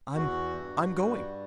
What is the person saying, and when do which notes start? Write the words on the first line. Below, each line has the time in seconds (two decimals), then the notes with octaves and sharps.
I'm--I'm going!
0.15 E2 F#4
0.56 G2
0.96 G3